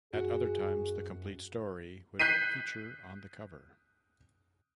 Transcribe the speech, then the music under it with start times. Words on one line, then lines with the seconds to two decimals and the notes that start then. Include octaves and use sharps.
At other times the complete story would feature on the cover.
0.13 F#2 F#4 G#4
2.19 F#6 G6 B6 C7 D#7